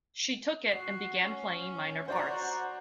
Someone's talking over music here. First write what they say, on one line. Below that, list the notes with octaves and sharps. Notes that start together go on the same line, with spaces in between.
She took it and began playing minor parts.
F#4 C7
C#4
F#4 C5 D5 A#5